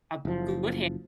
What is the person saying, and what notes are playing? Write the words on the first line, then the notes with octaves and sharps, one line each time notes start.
a good
F#1 F3